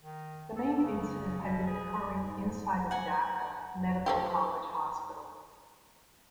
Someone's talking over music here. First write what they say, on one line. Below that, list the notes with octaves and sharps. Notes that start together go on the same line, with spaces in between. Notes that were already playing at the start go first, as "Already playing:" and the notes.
The main incident had been occurring inside of Dhaka medical college hospital.
D#3
A4
C#3
B2
G#4
G#2
F#5 G#5
F3 A3 G4